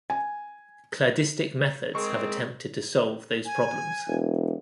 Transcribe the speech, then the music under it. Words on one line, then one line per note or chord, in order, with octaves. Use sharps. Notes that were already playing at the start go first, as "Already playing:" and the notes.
Cladistic methods have attempted to solve those problems.
G#5
G#3 C4 G#4 A#4 C#6
G#5
E1